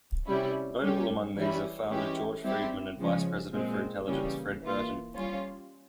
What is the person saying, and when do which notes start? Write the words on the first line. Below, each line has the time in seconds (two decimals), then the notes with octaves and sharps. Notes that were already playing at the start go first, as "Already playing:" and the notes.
Notable among these are founder George Friedman and vice president for intelligence Fred Burton.
0.26 C3 G3 C#4 E4
0.81 G3 C#4 G4
1.36 E3 G3 C#4 E4
1.89 E3 G#3 C#4 E4 G4
2.44 G3 C4 E4 G4
2.98 C#3 F3 G#3 C#4
3.53 A#2 G#3 C4
4.07 C#3 E3 G3 A#3 C#4
4.61 E3 A#3 F4
5.16 G3 C#4 F4